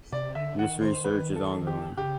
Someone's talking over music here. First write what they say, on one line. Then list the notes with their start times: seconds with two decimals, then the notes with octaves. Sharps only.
This research is ongoing.
0.12 C3 D5
0.35 D3 E5
0.59 D#3 F#5
0.81 D#3 C5
1.04 B4
1.36 A4
1.67 G4
1.97 C#3 G4